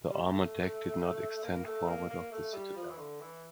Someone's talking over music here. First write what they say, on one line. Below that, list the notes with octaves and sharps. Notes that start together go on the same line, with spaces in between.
The armor deck did not extend forward of the citadel.
G3
A#3
A3
A#3
A3
A#3
A#3
A3
G3
F3
E3
D3
E3